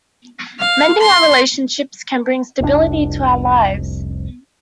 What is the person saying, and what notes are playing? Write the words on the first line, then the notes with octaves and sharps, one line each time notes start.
Mending our relationships can bring stability to our lives.
F5
C6
F1 C2 A#2 D4